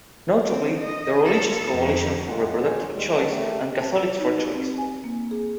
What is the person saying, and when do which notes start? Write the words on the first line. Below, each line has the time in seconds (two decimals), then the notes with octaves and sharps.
Notably, the Religious Coalition for Reproductive Choice and Catholics for Choice.
0.47 C4
0.79 D#5
1.23 F4 A4
1.70 F2
2.27 G#3 F4 F#5
2.61 G#4 C5 C#5
2.91 D#2 G3 G#3
3.13 D3 D#3 F#3 B3 A4 A#4
3.29 A3 G4
3.81 A5
3.95 E6
4.18 D#4
4.40 G4
4.54 C4
4.78 G#5
5.04 A#3
5.31 G#4